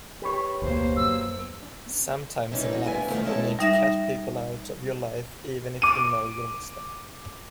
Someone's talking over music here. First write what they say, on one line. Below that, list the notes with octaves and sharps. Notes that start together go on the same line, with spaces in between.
Sometimes in life you need to cut people out of your life even if you know you'll miss them.
G4 B4 C#5
F1 D2 B2 A#3 C5
F#2 E6
G2 C3 E3 G#3 C#4 D#4
F#4
D2 G2 C3 B3 E4 G#5
C3 D#3 F3 A3 B3
G#3 C#4 E4 G#4 A4 B4
G3 D#4 E5 A#6
D6 D#7